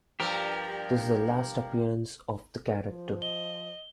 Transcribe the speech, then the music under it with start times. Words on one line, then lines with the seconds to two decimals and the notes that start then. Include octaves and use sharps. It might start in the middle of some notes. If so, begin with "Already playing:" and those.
This is the last appearance of the character.
0.20 G2 F3 A#3 G4 A#4
2.89 F3 C5
3.22 D#5 G7